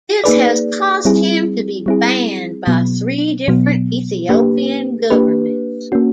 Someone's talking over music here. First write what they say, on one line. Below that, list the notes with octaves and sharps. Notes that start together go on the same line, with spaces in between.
This has caused him to be banned by three different Ethiopian governments.
A#3 D#4 G#4 B4 D5
G3 C4 E4 G#4
G3 C4 E4 G#4
B2 F#3 B3
B2 F#3 B3
A#3 D4 G4 B4
A#3 D4 G4 B4
A#3 C#4 F#4